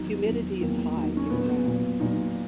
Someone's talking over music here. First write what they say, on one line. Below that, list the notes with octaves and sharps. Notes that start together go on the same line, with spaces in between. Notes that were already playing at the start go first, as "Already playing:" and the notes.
Humidity is high year round.
Already playing: E2 D#3 F#3 D#4
E2 D#3 F#3
E2 D#3 F#3 A#3
E2 D#3 F#3
D#4
C#4
A#2 F#3 B3
A#2 F#3
A#2 F#3 D#4